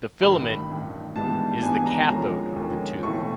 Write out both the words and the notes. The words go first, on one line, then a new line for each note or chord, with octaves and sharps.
The filament is the cathode of the tube.
A1 G2 D#3 B5
A1 G2 D#3
G#2 E3 G3 B3 D4 A5
G#2 E3 G3 B3 D4 G#5
A#5
D#2 D3 F3 G#3 C#4 A#5
D#2 D3 F3 G#3 C#4
B1 A2 E3 A3 C4 C#6